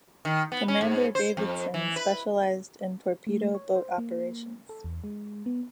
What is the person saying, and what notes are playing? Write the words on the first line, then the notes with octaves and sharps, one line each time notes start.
Commander Davison specialized in torpedo boat operations.
D#3
B3
C#4
G#2
C5
F2
E3
B4
A3
C#5
C5
A#3
A4
E2
G#3
B3